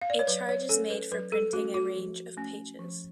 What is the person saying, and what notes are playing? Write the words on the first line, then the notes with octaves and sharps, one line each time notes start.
A charge is made for printing a range of pages.
F5
D5
C#5
F#3 B4
C#5
A3 C#4 A4
B4
F#3 B4
A4
A3 C#4 F#4
F#4
F3
A3 C#4
F3